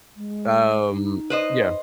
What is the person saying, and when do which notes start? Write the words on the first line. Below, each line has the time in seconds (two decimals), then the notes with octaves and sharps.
Um, yeah.
0.16 G#3
0.88 D#4
1.30 B4 C5 D#5